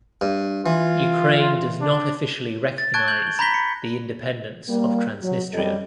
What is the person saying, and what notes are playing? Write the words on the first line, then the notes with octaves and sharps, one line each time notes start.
Ukraine does not officially recognize the independence of Transnistria.
G2
E3 F4
D4
A6
A5 C#6 F#6 G#6 D7
G6 F#7
G7
A#5 B5 G6 A#6 B6 G7
C#7
G3 A#3
F#3
F#2 G3 C4 A4 D#5